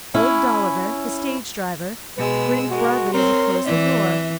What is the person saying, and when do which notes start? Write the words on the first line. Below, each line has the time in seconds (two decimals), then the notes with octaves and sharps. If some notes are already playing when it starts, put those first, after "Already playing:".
Old Dolliver, the stage driver, grinned broadly as he closed the door.
0.14 C#4 E4
2.17 B2 G#3 B4 E6
2.71 G#3 F#4 A#4
3.13 C4 A#4 C#5 C6
3.66 E3 D5 E5